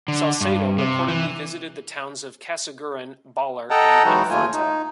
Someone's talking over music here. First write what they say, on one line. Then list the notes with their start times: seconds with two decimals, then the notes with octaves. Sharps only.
Salcedo reportedly visited the towns of Casiguran, Baler and Infanta.
0.08 D3
0.41 G2
0.78 C3
1.08 E3
3.70 A4 D#5 F#5 G5 A5 A#5
4.05 E3 F#3 G#3 D#4 E4 F#4
4.30 D#2 A3 F4 G#5
4.53 D#4